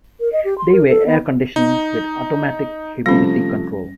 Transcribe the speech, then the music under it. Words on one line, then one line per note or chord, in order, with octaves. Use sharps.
They were air-conditioned with automatic humidity control.
A#4
D#5
G4
C6
A#4
A4
B3
D#4
C3 F3 G3 A3 C#4 A#6